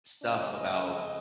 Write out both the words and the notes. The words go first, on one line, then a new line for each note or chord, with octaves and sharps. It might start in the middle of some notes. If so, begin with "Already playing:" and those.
stuff about
C#3 F#3 C#4 D#5
D#5
F2 C#3 F3 G#3 D#5